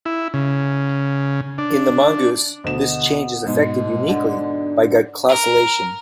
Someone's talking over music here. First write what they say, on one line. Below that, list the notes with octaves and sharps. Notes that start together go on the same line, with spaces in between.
In the mongoose, this change is effected uniquely, by glycosylation.
E4
C#3
D4
D2 B2 B3 D#5 E7
G#2 B2 G#3
D3
A#4